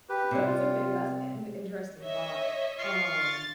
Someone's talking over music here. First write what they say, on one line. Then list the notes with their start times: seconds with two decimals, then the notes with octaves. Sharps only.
no, it's okay, that's in interesting thought, um,
0.09 G4 B4
0.31 C3 G3
0.47 F4
2.01 C#5 D#5 E5
2.79 F4 F5 C#6
3.19 A6